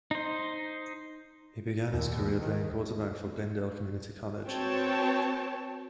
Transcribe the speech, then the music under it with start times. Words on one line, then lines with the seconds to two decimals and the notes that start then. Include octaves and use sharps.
He began his career playing quarterback for Glendale Community College.
0.11 D#4 C5
1.92 D#2
2.40 D#3
4.48 C4 F#4 B4 C#5 G5 A5